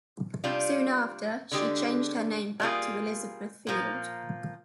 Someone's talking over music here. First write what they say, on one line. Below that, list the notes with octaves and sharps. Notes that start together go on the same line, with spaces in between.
Soon after she changed her name back to Elizabeth Field.
C3 G3 D4 F4
D3 G#3 D4 G4
G3 A#3 F4 G#4
A#2 F3 A#3